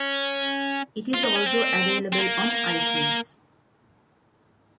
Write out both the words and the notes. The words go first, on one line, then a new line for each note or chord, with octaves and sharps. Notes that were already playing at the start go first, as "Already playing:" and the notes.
It is also available on iTunes.
Already playing: C#4
F4
D#4
C#4
C4
C4
A#3